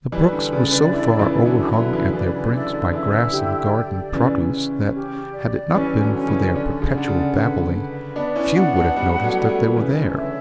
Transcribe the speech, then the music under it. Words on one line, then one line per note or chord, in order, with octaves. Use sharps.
The brooks were so far overhung at their brinks by grass and garden produce that, had it not been for their perpetual babbling, few would have noticed that they were there.
E3 G3 B4
D3
C#3 D5
D3
D3 E4
C#3 E3
E4
D3 F#3
D3 F#3 B4
C#3 E3
C#3 E3 D5
D3
D3 E4
D3
C#3 E3 E4
C#3
D3
D3 G4
D5
C#3 E3 C#4
C#4
G4
D5
E3 G3 C#4
D3 F#3
C#4
C#3 E3
D3 D5
C#3
D3 F#5
C#3
D3 B4
B4
B3 D4 D5
C#4 E4
B3 D4 F#5
B3 D4
G3 B3 B4
F#3 A3
G3 B4
F#3 A3
C#3 E3 C#5
D3
E5